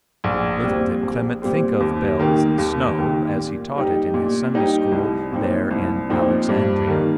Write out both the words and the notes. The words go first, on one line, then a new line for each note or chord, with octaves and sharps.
Little did Clement think of bells and snow, as he taught it in his Sunday school there in Alexandria.
A#1
A#2 G3 C4
A#1
A#2 G3 C4
D#2
D#3 A#3 G4
D#2
D#3 A#3 G4
A#2
G3 D#4 G4
A#2
G3 D#4 G4
C2
A#2 F3 C4 D#4
C2
A#2 F3 C4 D#4
G2
D#3 G3 A#3